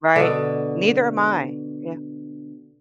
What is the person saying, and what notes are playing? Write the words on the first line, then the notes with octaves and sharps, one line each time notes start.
Right. Neither am I. Yeah.
B2 D3